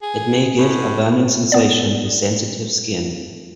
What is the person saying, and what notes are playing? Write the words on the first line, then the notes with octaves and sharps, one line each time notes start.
It may give a burning sensation to sensitive skin.
G#4
A2
B3 D5